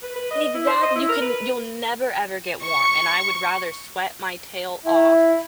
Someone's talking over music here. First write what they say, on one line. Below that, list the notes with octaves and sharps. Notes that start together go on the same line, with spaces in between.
Exact you can you'll never ever get warm. And I would rather sweat my tail off
B4
B4
D#5
E4
C5
D#5
E4
A#4
B4
C#6
E4